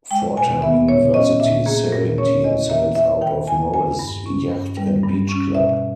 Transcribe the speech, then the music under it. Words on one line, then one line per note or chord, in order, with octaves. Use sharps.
Fordham University's Sailing Team sails out of Morris Yacht and Beach Club.
G#3 G5
B2 G#5
B3 E5
A#2 C#5
C#4 D#5
A#2 E5
A#3 G#4
A#2 A#4
C#4 C#5
E2 D#5
A#3 E5
E2 E5
D#3 G5
E2 G#5
A#3 G#5
G2
C#4
G2
G3
G2
C#4
B2 E5